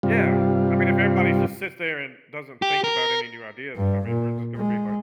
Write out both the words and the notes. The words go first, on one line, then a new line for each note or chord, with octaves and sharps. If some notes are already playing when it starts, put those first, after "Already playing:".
Yeah. I mean if everybody's just sits there and doesn't think about any new ideas, I mean, we're just gonna be like
G2 C3 G3 F4
G4
A#4
G2
A#2
G#3